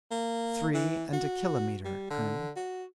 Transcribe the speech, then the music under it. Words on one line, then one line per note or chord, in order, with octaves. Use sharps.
"Three and a kilometre, colonel."
A#3
E3
F#4
G3
D3
F#4